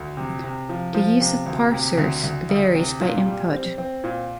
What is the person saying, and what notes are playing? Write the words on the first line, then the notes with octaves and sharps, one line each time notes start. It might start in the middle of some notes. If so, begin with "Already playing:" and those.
The use of parsers varies by input.
Already playing: D2
C3
C3
F3
F3
C3
D2
C3
D2
D2
D2
C3
A#2
G3
C4
C4
A#2